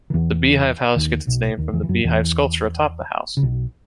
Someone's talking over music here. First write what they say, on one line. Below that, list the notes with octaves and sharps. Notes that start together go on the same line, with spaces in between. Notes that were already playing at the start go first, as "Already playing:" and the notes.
The Beehive House gets its name from the beehive sculpture atop the house.
D#3
E2 E3
D#2 D#3
B1 B2
D#2 D#3
E2 E3
E3
F#2 F#3
E2 E3
C#3
B1 B2